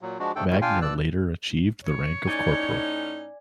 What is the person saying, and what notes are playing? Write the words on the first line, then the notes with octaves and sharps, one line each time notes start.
Magner later achieved the rank of Corporal.
A#2 F#3
F3 G#3 D4 F#4
D#2 G#2 A3 D4 A4 G5
G#2 B2 D#3 G3
D4 F4 F5 G5 G#5
G2 D5 E6 F#6
C#5
A2 C#4 D#4 D5 G#5